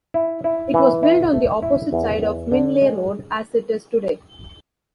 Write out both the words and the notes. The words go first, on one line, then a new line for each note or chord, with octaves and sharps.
It was built on the opposite side of Minley Road as it is today.
E4
E4
E3
E4
A3
E4
E2
E2
D3
G#3